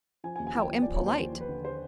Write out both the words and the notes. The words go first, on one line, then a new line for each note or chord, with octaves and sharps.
"How impolite."
F3 G#5
G#5
D#2
G#5
F3 G5
F3
F3 D5
C#5
D#2 C5
F3
F3
B4
D3
C5